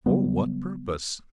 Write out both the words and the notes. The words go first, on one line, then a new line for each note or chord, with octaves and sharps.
"For what purpose?"
C#3 F#3 G3 B3